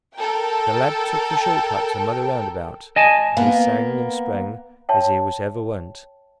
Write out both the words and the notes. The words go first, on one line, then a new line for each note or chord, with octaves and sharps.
The lad took the short cut to Mother Roundabout, and he sang and sprang as he was ever wont.
A4 A#4 G5
D#5 G#5 A5
A#3 B3
C#5 E5 G5 A5